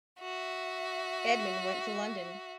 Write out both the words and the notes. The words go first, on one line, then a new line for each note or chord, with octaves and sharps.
Edmund went to London.
F#4 E5